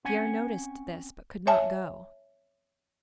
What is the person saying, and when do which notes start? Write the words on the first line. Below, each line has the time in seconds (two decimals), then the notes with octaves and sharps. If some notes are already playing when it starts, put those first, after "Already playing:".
Pierre noticed this but could not go.
0.05 C4 C#4 F#5 G#5
1.47 C#5 E5 G#5 A5